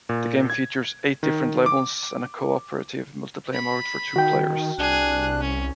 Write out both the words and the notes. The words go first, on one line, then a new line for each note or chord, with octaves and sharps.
The game features eight different levels and a cooperative multiplayer mode for two players.
A#2
G#6
D#3
D6
B5
D#3 F#4 G5
C2 D4 G#4 F#6
C#4